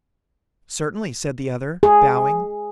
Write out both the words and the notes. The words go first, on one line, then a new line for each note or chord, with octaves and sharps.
"Certainly," said the other, bowing.
G#4